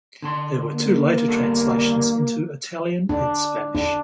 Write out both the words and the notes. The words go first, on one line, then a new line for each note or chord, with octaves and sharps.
There were two later translations into Italian and Spanish.
D3 A5 C6
A#3
D3 G3 A4
D4
D4